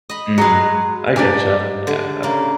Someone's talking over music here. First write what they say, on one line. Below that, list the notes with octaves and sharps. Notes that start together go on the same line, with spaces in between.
Mhm. I get you, yeah I
D#5 B5
F#3 G#3 G#4 B4
G#2 D4 G4 G#5
D3
C#3 A#3